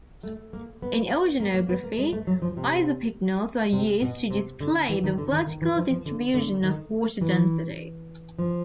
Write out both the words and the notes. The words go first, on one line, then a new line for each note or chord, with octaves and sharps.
In oceanography, isopycnals are used to display the vertical distribution of water density.
A3
A#3
B3
A#3
A#3
B3
A#3
G#3
A3
F#3
F3
C3
C3
B2
C3
D3
E3
D#3
D3
D#3
D#3
E3
F3
F3
D3
D3
D#3
E3
F3